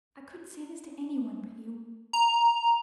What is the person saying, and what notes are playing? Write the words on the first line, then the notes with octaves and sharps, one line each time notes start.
I couldn't say this to any one but you.
A#5